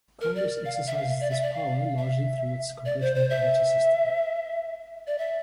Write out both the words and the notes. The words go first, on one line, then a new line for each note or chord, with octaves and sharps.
Congress exercises this power largely through its congressional committee system.
A#4
D5
F5
E5
F5
E5
D5
E5
D5
F5
E5
D5
C5
C5
E5
D5
E5